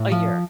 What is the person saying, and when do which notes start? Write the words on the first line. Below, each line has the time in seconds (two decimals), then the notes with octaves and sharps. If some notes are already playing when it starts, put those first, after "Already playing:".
A year.
Already playing: A2
0.12 F3